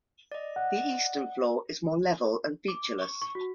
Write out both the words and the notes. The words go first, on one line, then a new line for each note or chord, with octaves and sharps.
The eastern floor is more level and featureless.
D5 D#5
F#5
D6
C#6
C#6
F#4